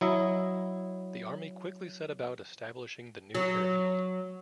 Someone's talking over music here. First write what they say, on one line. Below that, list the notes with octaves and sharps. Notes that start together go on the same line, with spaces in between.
The Army quickly set about establishing the new air field.
F#3 E4 D#5
F#3